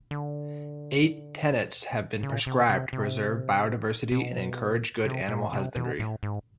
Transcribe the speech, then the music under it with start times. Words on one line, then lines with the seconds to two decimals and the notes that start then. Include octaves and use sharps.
Eight tenets have been prescribed to preserve bio-diversity and encourage good animal husbandry.
0.11 D3
2.23 C#3
2.46 C3
2.69 C3
2.93 C3
4.11 B2
5.05 C3
5.29 A#2
5.53 C3
5.76 B2
5.99 A2
6.23 G#2